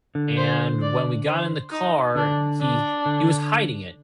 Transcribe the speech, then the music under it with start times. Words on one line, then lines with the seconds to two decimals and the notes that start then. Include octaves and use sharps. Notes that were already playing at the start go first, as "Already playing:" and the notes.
and when we got in the car, he he was hiding it,
0.15 D3
0.37 C5
0.82 D5
1.27 C5
1.71 D#4
2.15 D3 D4
2.61 D4
3.06 D3